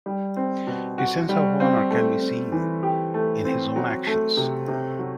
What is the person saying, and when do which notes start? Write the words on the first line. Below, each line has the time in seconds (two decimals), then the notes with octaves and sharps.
His sense of honor can be seen in his own actions.
0.06 G3
0.36 C4
0.67 B2
0.98 F#4
1.29 G3
1.60 C4
1.91 A3
2.21 C4
2.52 E3
2.83 G4
3.14 A3
3.45 C4
3.76 F#3
4.07 A3
4.37 C3
4.68 C3
4.99 F#3